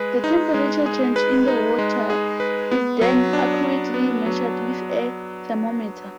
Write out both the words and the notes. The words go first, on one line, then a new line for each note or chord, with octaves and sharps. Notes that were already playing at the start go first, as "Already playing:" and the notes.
The temperature change in the water is then accurately measured with a thermometer.
Already playing: G#3 G#4 B4
D#4
G#3
G#4
B4
D#4
G#3
G#4
B4
B3
F#3
D4
F#3
B3
F#3